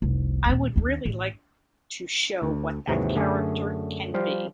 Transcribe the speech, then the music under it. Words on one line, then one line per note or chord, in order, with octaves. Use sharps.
I would really like to show what that character can be.
F1 C2
D#2 A#2
D#2 D4
A1
D2
D#2 G#2 C3 E3 F#3
F#2 D3 A3 G#4 D5 G#5
F3 G3 F4 C5 F5